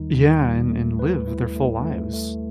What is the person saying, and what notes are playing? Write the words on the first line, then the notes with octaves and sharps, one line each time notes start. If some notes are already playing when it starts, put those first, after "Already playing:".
Yeah, and and live their full lives.
Already playing: D#2 D#3 G3 D#4
D#2
G3
A3
B4
E4
A3
A3
A3